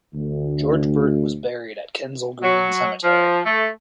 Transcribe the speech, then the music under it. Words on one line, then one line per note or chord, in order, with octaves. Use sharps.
George Burt was buried at Kensal Green Cemetery.
D2
F#3
F3
A3